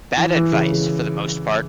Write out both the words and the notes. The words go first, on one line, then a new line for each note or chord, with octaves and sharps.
Bad advice for the most part.
E3
E3
C#3
C#3